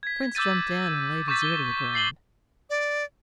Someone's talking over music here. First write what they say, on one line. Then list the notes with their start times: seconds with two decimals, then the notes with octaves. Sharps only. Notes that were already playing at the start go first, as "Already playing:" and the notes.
The prince jumped down and laid his ear to the ground.
0.03 G#6 B6
0.35 D6 E6 G6 A6 D#7
1.28 C#6 D6 G6 A6 B6
1.42 G7
1.94 A6 C7 F#7 G7
2.70 D5